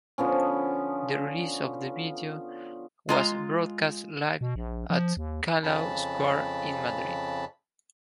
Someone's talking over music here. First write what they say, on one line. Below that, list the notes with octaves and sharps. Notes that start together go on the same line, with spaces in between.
The release of the video was broadcast live at Callao Square in Madrid.
D3 F3 B3 C#4
G#3 F4 A#5
B2
A#1
F3
D#2
F2 C#3 A5 B5